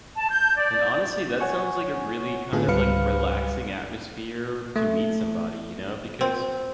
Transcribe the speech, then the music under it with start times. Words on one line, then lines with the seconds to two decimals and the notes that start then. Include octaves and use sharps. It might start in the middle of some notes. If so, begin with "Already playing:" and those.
and honestly, that sounds like a really, kinda, like, relaxing atmosphere to meet somebody, you know? Because
0.15 A5
0.30 G6
0.57 D5
1.40 C#5 F#5 G#5 C#6
2.52 A2 D3 B3 F4 G#4 A4
2.68 C#2 G#2 G3 B4 F5 C#7
4.76 A3
6.21 C4